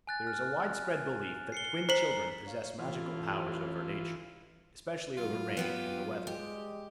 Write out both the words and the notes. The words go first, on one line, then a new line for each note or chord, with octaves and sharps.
There is a widespread belief that twin children possess magical powers over nature, especially over rain and the weather.
G#5 F#6 A6
F6
C7 C#7 G7
C5 A#5 B6 C7 F#7
C#5 F5
A1 E3 F4
F#3 F4
F#3 B3 G4 B4
G3 G#3 G4 D#5